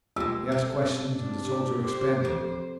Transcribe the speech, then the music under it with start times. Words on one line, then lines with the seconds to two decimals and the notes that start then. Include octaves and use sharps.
He asked questions--and the soldier expanded.
0.16 G3 G#3 E6
0.52 C3 A4
1.09 D4
1.43 G4
1.84 C5
2.25 F2